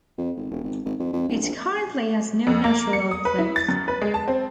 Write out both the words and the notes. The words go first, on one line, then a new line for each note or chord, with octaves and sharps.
It currently has no natural outflows.
F2
G#1
E1
G#1
G#1
F2
F2
D1
A#1
F2
A#3
C#7
D#6
B4
E4
A6
F#2
B4
G#3
A5
C4